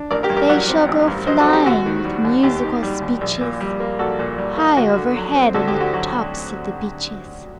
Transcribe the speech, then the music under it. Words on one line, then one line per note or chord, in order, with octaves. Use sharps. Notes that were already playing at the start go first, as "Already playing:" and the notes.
They shall go flying With musical speeches High overhead in the Tops of the beeches.
Already playing: D4
A1 A#4 D5
G4 A#4
G2
G4 A#4
F#3 D5 F#5
C4
A1
G2
F#3 C5 D#5
F#4 A4
C4
G4
D#2 F#4
D#3
G3
D#2
D#2 G4
D#3
G3
D#2
A#1
A#2
G3
A#3
A#1 F#4 A4
A#2
G3
A#3
D2 F#4
D3
F#3
C4
D2 F#4 A4
G4
D3
F#4
F#3 F#4